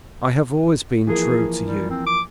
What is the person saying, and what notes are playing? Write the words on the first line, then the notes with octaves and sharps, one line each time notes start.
I have always been true to you.
E3 F3 A#3 G#4
G3
C4
D6